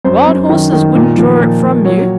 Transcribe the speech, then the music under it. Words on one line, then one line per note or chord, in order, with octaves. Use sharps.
Wild horses wouldn't draw it from you?
F#2 C5
F#2
D#3
D#3
A#2
F3
A#2
A#2
F#3 C#5